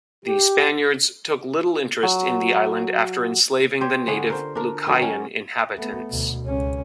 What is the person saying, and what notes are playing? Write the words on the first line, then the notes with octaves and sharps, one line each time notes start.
The Spaniards took little interest in the island after enslaving the native Lucayan inhabitants.
G4
F#3
G4 C5 C#5
D3 B3 C#4 F4
A#4 C5
D4 A#4
D#3 F#3 D4 A#4
C#4
A3 B3
D2 B2
C#2 C#4